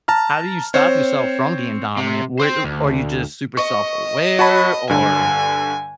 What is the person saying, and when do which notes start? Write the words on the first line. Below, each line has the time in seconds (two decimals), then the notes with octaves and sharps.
how do you stop yourself from being dominant? Whe o are you just super self-aware, or
0.08 A5 A#5 F6
0.74 C4 C5 C#5
1.97 C3
2.40 C5 G5
2.64 D2
3.57 D#5 C#6
4.39 F#4 A5 B5
4.89 G2 D3 G#5